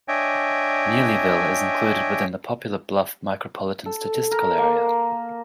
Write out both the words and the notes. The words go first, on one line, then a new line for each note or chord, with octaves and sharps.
Neelyville is included within the Poplar Bluff Micropolitan Statistical Area.
D4 C#5 D#5 E5 G5 G#5
A4
A#4
A#3